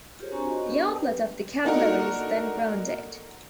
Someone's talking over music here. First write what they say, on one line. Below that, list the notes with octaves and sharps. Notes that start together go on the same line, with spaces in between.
The outlet of the capillary is then grounded.
F4 G4 G#4 A#4 C5 C#5
C4 D4 F#4 G#5 A#5 C#6
F#4 D#5
B3 D4 G4 B4
A#4 B4 D5 G5
A#3 D4 D#4 F#4 A4 A#4